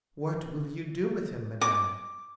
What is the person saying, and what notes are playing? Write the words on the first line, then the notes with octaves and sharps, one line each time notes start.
"What will you do with him, madame?"
D6